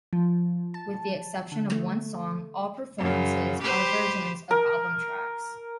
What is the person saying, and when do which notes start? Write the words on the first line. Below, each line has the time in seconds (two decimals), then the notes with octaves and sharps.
With the exception of one song, all performances are versions of album tracks.
0.13 F3
0.74 A5
1.52 D3
1.72 A3
2.98 F#2 C#3
3.62 G4 B4 C5
4.51 A#4